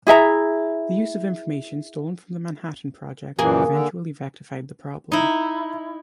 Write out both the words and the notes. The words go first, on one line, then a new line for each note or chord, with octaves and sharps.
The use of information stolen from the Manhattan Project eventually rectified the problem.
E4 G#4 E5 A#5
F#2 A#2 E3 A#3 G#4
D3
D#4 E4